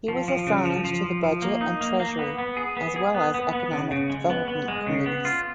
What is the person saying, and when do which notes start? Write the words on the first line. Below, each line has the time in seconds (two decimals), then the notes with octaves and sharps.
He was assigned to the budget and treasury as well as economic development committees.
0.08 F3
0.28 F3
0.47 C#3
0.65 F3
0.84 F3
1.04 F3
1.23 F3
1.42 A#3
1.61 D#4
1.81 A#3
2.00 A#3
2.19 B3
2.38 B3
2.57 G#4
2.77 B3
2.96 G#4
3.14 B3
3.34 B3
3.53 B3
3.72 C#3
3.91 C#3
4.10 G#3
4.30 B3
4.48 B3
4.68 G#3
4.86 C#3
5.06 B3
5.25 F4